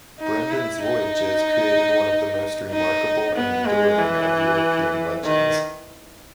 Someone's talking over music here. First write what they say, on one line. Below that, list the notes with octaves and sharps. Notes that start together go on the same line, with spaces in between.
Brendan's voyages created one of the most remarkable and enduring of European legends.
D#4
E4
D#4
D#4
B3
G#3
E3
D#3